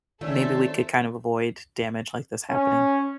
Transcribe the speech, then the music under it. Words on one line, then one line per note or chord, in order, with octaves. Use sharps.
maybe we could kind of avoid damage like this happening.
D#3 A3 C#4 F4 A4 C5 D5 E5
C#4